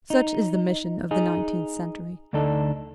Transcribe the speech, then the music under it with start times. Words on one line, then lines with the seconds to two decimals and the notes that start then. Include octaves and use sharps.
Such is the mission of the nineteenth century.
0.10 D#4
1.11 D#4 G#4
2.33 D2 D3 D4 D#4 A4